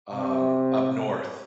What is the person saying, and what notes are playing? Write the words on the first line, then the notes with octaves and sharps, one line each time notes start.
um, up north,
C3